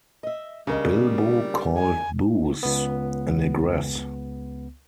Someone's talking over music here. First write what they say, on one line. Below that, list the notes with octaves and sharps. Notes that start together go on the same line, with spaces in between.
Bilbo called Booze, a negress.
D#5 E5
C#3 G3 D4 A#4 D#5
G#5
C#2 B3